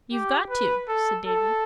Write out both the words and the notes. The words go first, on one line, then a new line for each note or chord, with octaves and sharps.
"You've got to," said Davy.
G4
B4
A4
A4